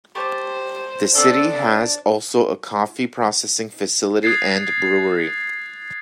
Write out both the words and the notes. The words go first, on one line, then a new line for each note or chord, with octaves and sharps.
The city has also a coffee processing facility and brewery.
G4 C5 A5 C#6
B3 C4 D4 A4
D#6 F#6 G#6 A6 C7